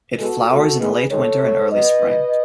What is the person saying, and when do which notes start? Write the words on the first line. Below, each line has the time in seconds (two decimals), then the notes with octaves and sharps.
It flowers in late winter and early spring.
0.17 A2 G#3 B3 F#4 A4
0.48 B2 A3 F#4 A4
0.79 E2 D#3 G#3 B3 G#4 B4
1.09 F#2 D#3 G#3 A4 C#5
1.40 B2 A3
1.70 G#2 F#3 B3 B4 D#5
2.01 G#2 E3 B3